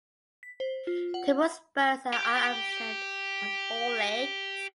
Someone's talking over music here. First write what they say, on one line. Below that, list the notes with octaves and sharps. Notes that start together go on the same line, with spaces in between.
Tibial spurs are absent on all legs.
B6
C5
F4
F#5
G4 G5